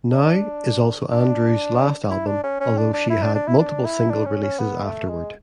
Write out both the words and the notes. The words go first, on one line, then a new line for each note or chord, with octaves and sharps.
"Now" is also Andrews' last album, although she had multiple single releases afterward.
D4
D4
E4
D4
C#4
C#4
D4
D4
E4
D4
D4
E4
D4
E4
D4
C#4
C#4
B3
A3
G#3